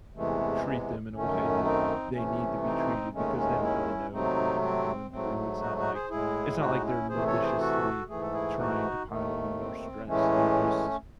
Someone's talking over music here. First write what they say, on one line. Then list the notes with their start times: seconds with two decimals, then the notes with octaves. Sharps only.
treat them in a way that they need to be treated because they don't really know what I'm going through. It's not like it's not like they're maliciously trying to pile on more stress. They're just
0.15 E2 C3 E3 G#3 A3
1.15 F#2 D#3 A3 C#4
1.64 C4 D#4
2.13 C3 E3 A3 C#4
2.64 C4 D#4
3.13 D#2 D#3 G#3 A3 C#4
3.37 A3 C#4
3.62 C#4 E4
4.12 C3 F#3 A3 C4 D#4
4.62 C4
5.11 G#2 F#3 A3 C4
5.60 D#4 F#4
5.77 D#4 F#4
5.93 G#4 C5
6.10 A2 G#3 E4 G#4
6.60 D#4 F#4
6.84 C#4 E4
7.09 C3 E3 A3 G#4 C5
7.26 A4 C#5
7.43 G#4 C5
7.59 F#4 A4
8.08 G#2 E3 A3 G#4
8.21 A4
8.33 E4 G#4
8.58 D#4 F#4
9.08 D#2 D#3 A3
9.57 C4
10.07 A2 E3 G#3 A3 C#4